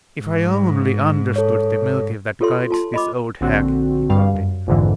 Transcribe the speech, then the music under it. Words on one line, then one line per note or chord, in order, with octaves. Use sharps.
"If I only understood the motive that guides this old hag!" he continued.
G#2
A4 C#5
F4 G4 A4 C#5 E5 C6
F4 A5 C6
D#5 B5 D6
A#1 D3 C4 F#4
G2 G3 F5
F#2
A#1 F2 G#2 D3 E3